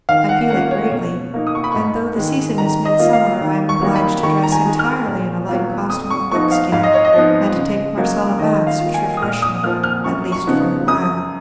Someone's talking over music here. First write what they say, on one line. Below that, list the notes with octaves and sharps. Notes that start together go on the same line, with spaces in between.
I feel it greatly; and though the season is midsummer, I am obliged to dress entirely in a light costume of buckskin, and take Marsalla baths, which refresh me, at least for the while.
D#3 F5
F#5
A#3 C#4 F4 F#5
C#5
B2 C#5
A#3 D#4
D#6
C#6
B5
G#2 C#6
D#3 G#3
D#3 A#5
D#5
A#3 F4
F5
D#3
C#6
F#3 A#3 D#4
B5
D#3 C#6
A#5
G#5
G#3 D#4
F6
A#2
F#3 B3 F4
F2 D#6
C#6
F3 B3 D#4 C#6
F5
G#2 F5
D#5
C#5
D#5
F3 B3 D#4
C#3
F#3 A#3
D#3 D#5
F5
F4
A#3
G#5
D#6
A#2 F6
D#6
F3 A#3 F6
F6
F#2 C#6
C#6
C#3 F3 B3 D#4
F#2 D#6